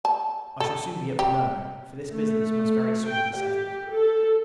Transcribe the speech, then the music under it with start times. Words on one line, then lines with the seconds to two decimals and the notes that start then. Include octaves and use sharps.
I shall soon be at Palermo; for this business must very soon be settled.
0.05 A5
0.60 A4
1.19 G4
2.12 A3
3.08 G5
3.40 G4
3.94 A4